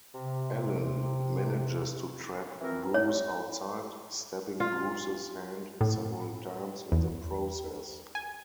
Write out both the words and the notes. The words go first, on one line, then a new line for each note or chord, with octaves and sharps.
Ellen manages to trap Bruce outside, stabbing Bruce's hand several times in the process.
C3
E3 C4 F4 A#4
C#5
F4
A2
E2
G#5